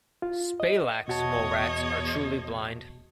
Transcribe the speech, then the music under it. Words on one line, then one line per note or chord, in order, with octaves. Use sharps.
"Spalax" mole rats are truly blind.
F4
D#5
E2 B2 F#4 C#5 D#5 A5